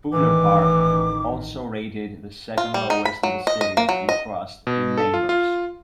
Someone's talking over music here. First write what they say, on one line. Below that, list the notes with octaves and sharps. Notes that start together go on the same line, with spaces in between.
Fuller Park also rated the second-lowest in the city in trust in neighbors.
A1 D#3 E3 D6
F4
G3
D#4
B5
F#3
D#5
D#5
A#3
F#3
D#5
B2
A4
F4
F4